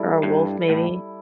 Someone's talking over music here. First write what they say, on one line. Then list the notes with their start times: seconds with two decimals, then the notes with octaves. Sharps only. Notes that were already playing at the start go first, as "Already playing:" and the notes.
or a wolf, maybe
Already playing: G3 E4 A4 D5
0.23 G2
0.69 A2